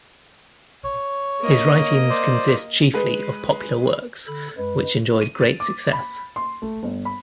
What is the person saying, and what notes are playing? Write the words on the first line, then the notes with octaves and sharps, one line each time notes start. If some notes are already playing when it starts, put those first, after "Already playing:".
His writings consist chiefly of popular works, which enjoyed great success.
C#5
A#3 D#5
C5 D5
G#3 B4
D3 A4 B5
F#2 G#3 B4
D#7
A6
D6
B5
C6
A3
G1
B5